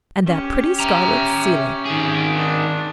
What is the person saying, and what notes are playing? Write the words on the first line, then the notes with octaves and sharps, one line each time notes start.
And that pretty scarlet ceiling.
C#4 G4
E5 A#5
D#3 G#4
D4